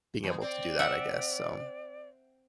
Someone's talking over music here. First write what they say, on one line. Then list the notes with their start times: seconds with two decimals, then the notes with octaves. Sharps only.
being able to do that, I guess. So
0.24 E2
0.41 C4 D5
0.79 E5 F#5